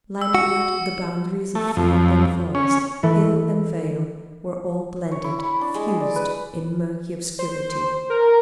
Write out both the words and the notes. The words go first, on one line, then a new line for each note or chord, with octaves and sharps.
Landward, the boundaries of field and forest, hill and vale, were all blended, fused, in murky obscurity.
E6
F#4 C#7
A3
F2
C#4
E3 A3 E4 A4 B4
C#5
E4
B5
D4
G#3
G#4
D5
B4
C5
A#4